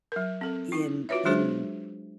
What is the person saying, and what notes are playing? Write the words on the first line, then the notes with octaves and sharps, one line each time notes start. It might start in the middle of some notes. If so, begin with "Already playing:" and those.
in in
F#3 A#4
C4 A4
D#4 E4
F4 F#4 B4 C#5 E5
F#3 G#3 D4 F#4 G#4 C5